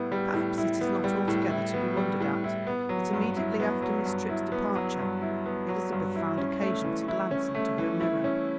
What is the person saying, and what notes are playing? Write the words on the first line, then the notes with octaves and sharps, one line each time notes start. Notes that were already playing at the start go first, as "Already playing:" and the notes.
Perhaps it is not altogether to be wondered at that immediately after Miss Tripp's departure Elizabeth found occasion to glance into her mirror.
Already playing: A2 G3 B3 E4
G3
A2
E4
B3
G3
A2
E4
B3
G3
A2
E4
B3
F#3
G2
E4
B3
F#3
G2
E4
B3
F#3
G2
E4
B3
F#3
G2
E4
C#4
A3
E3
E4
C#4
A3
E3
E4
C#4